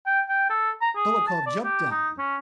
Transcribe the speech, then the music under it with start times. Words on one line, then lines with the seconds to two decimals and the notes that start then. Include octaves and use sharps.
Dolokhov jumped down.
0.06 G5
0.29 G5
0.50 A4
0.81 A#5
0.95 G#4
1.27 A5
1.46 D5
1.64 G4
1.91 D#4
2.18 C#4